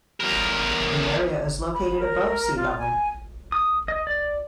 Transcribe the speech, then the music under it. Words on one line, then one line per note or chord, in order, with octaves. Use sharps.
The area is located above sea level.
E2 A#4
B5
A#4
F4
G#5
D#6
D#5
D5